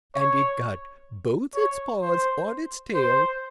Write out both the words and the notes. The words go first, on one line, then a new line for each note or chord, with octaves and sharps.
And it got both its paws on its tail.
C#5
C#5
C5
C5